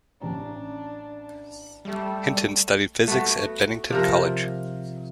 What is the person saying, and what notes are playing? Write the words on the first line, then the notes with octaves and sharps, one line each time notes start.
Hinton studied physics at Bennington College.
A1 C#4 D4 A#5
G3 A3
A3 B3 F#4
C3 F3 A#4